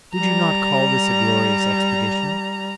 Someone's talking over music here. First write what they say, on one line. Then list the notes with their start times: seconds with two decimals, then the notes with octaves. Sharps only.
Did you not call this a glorious expedition?
0.14 G3 A#5